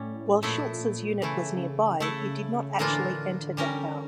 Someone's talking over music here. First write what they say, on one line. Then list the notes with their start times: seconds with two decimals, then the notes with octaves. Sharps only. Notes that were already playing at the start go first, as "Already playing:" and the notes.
While Schulz's unit was nearby, it did not actually enter Dachau.
Already playing: A2 G3 C#4
0.43 A#2 F3 A3 E4
1.22 C#3 E3 A3 E4
2.00 C#3 A3 E4 A4
2.79 A2 D3 E3 A#3 D4 F4
3.57 G3 C#4 G4 A#4